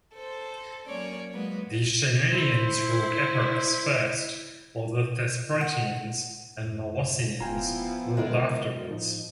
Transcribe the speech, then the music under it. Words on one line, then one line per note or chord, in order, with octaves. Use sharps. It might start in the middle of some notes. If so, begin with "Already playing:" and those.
The Chaonians ruled Epirus first while the Thesprotians and Molossians ruled afterwards.
A4 C5
F#3 A#3 C#4 C#5 D5
F#3 G#3 A#3 B3 B4
E4 C5
F#5
F#2
D#1 F3 B3 E4 F4 G5 G#5 A#5
D3 G#3 A#4 D5
A2 F3 D#4